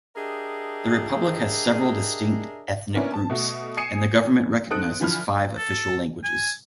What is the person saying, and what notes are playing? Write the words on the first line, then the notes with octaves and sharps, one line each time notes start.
The republic has several distinct ethnic groups, and the government recognizes five official languages.
D4 G4 G#4 A#4 D#5 E5
A#3 B3 C#4 D4 E4 A#4
A5
B2 A3 F#4
G#5 D#6 C7 C#7 D#7 E7
C4 D#4 A4 D#6 F#6 D7
D3 E3 F3 B5 F6
A4
G#5